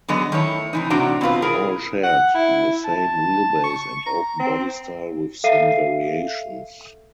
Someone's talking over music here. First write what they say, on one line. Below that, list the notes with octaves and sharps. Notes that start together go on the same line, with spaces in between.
All shared the same wheelbase and open body style with some variations.
D3 F#3 B3 G#4 D#5
D#3 A3 E4 C#5
C3 E3 D#4
A2 C3 D4 F#4 A#5
B2 C4 F4 B4
E4 G#4 A#4 A#5
F#5
E4
A5
C#6
A#5
C4
A4 E5 F5 C7 D#7